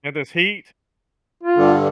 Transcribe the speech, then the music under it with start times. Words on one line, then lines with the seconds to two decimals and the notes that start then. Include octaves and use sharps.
In this heat?
1.43 F4
1.56 G2 D3